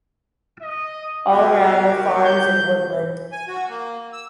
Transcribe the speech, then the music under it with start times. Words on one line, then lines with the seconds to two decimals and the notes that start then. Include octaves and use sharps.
All around were farms and woodland.
0.62 D#5
1.31 B3 F#4 G4 F5 G#5
1.89 G3 A#4
2.26 G6
3.32 G#5
3.48 F#4
3.69 A#3
4.13 E6